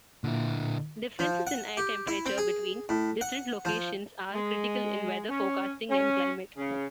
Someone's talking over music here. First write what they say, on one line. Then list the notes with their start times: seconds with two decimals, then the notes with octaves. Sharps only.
Differences in air temperature between different locations are critical in weather forecasting and climate.
0.24 A#2 D3 E4
1.19 F3
1.47 F#5
1.77 G4
2.07 E4
2.26 C4
2.38 G#4
2.89 A2
3.21 F#5
3.65 F3
4.32 G#3
5.28 C#4
5.89 C#4
6.56 C#3